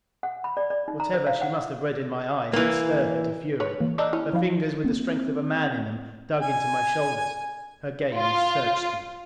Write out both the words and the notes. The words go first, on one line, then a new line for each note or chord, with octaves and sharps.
Whatever she must have read in my eyes, it stirred her to fury. Her fingers with the strength of a man in them, dug into my shoulders. Her gaze searched me.
F#5
B5
D5
D5
D#4
A#5
C5
F5
F#5
E3 A#3
B4 C#5
E3 A#3
D3 D4 D#4 D6 E6 F#6
C#4 E4
F3 E4 F5
A#3 C4
G#5
F4